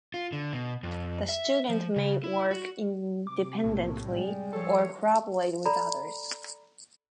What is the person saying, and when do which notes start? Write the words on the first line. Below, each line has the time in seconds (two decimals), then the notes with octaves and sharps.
The student may work independently or collaborate with others.
0.14 F4
0.32 D3
0.53 B2
0.83 F2
1.29 E5
1.70 F3
1.96 C#3
2.24 E4
2.51 F#4
3.27 C3 D6
3.64 B1 A2 A#3
4.06 G3 G#3
4.53 F3 A4 C#5
5.66 A4 D5 A#5 B5